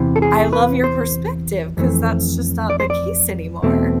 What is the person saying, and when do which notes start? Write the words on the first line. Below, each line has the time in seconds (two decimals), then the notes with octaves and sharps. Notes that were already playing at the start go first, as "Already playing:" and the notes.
I love your perspective 'cause that's just not the case anymore.
Already playing: E2 C3 E3
0.16 A4
0.22 G#4
0.53 B4
0.84 C5
1.77 F2 E3 A3 C4
2.70 D5
2.80 C5
2.90 D5
3.62 E2 B2 A3 C4